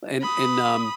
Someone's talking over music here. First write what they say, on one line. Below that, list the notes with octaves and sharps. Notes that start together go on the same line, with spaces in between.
and and, um,
B5 D#6